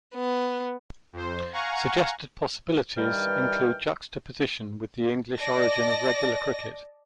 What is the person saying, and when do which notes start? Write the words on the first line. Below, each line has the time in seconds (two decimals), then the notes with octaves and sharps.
Suggested possibilities include juxtaposition with the English origin of regular cricket.
0.15 B3
1.13 F2 C5
1.52 F5 F#5 G#5 A#5 C#6
2.97 G2 D#3 E3 G3 G5 F6
5.38 D5 D#5 A5 A#6